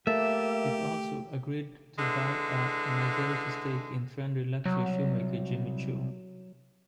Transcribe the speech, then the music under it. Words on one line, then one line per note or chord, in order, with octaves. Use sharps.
It also agreed to buy a majority stake in trendy luxury shoemaker Jimmy Choo.
A3 A#3 G4 E5
D3 E3 G#3
C2 F#3